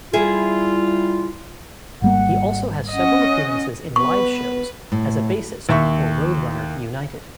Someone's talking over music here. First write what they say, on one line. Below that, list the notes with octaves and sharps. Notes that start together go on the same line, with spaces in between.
He also has several appearances in live shows as a bassist for Roadrunner United.
G3 E4 F4 G#4
G#1 G3 A#3 F#5
C#4 D#5 F#5
B3 B4 C#6
A2
D#2 E5 C#6